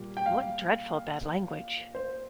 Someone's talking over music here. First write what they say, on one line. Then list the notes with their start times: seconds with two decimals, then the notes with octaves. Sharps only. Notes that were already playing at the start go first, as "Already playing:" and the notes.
What dreadful bad language!
Already playing: A#2 G3 A#3
0.17 G5
0.26 F5
1.95 C5